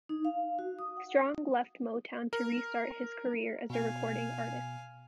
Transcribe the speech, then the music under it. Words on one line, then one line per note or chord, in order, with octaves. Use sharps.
Strong left Motown to restart his career as a recording artist.
D#4
F5
F#4
D#6
F#5
A#4
B2 F5 G#5